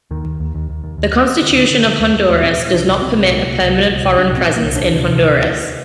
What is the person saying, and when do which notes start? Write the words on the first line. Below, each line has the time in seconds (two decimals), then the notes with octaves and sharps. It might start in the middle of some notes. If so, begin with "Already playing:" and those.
The Constitution of Honduras does not permit a permanent foreign presence in Honduras.
0.11 D#2 D#3
0.25 D#2
0.40 D#2
0.55 D#2
0.70 D#2
0.84 D#2
0.98 D#2
1.13 D#2
1.27 D#2 C4
1.42 D3
1.56 D3
1.71 D3
1.86 D3
2.00 D#2
2.15 D#2
2.29 D#2
2.43 A#2 C4
2.58 A#2
2.72 C2 D4
2.87 C2
3.01 C2 C4
3.17 C2
3.30 A#2
3.45 C2
3.59 C2
3.74 C2
3.89 C2
4.03 C2
4.18 C2 D4
4.32 A#2
4.38 C4
4.47 A#2
4.56 A#3
4.61 C2
4.76 D2 D4
4.91 C3
5.06 C3
5.20 D2
5.35 D2
5.49 D2